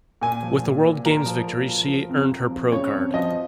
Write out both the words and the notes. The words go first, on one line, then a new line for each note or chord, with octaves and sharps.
With the World Games victory she earned her pro card.
A#2 G#5
F3
A#2
A#2
A#2 A#4
F3
A#2
F3
F3
F2
F2
F3
C#3 C#5
F2
F3 D#5